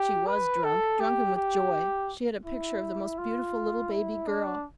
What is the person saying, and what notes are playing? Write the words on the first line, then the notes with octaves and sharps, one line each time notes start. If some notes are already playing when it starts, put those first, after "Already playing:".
She WAS drunk, drunken with joy. She had a picture of the most beautiful little baby girl.
Already playing: G4
B4
A4
G4
G4
E4
F4
E4
D4